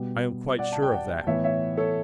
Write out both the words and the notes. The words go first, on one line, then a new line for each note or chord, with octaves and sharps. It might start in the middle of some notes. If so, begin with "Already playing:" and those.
I am quite sure of that.
Already playing: B2 G3 B3
D5 F#5
A5
G5
D5 F#5
A2 E3 B3 C#5 E5
C#5 E5
A4 C#5